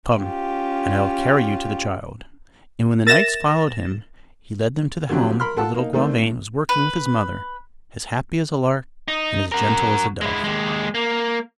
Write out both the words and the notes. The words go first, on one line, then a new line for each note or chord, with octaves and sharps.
"Come, and I will carry you to the child!" And when the knights followed him, he led them to the home where little Gauvain was working with his mother, as happy as a lark and as gentle as a dove.
C#4 F4 G4
A#4 E5 A6 A#6 E7
D3 F3 F#3 C4 G4
A#4 B5 C6 F6
F4 A4 F#5 A5
A#3 D#4
D#3 A3 C4 D4
A2
B4
D#4
F#4 A#4
G#3 E4
D#2 G#3
A#3